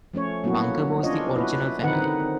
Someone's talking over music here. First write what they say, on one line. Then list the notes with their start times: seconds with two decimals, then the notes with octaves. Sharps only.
"Bunker" was the original family.
0.14 F3 A3 C#4 C#5
0.44 F#3 A#3 B3 E4 F#4
1.03 C#4 D4 F4 C#5 D#5
1.36 E4 F#4 B4
1.83 D3 D#3 C4 D#4 B4 F#5
2.20 C4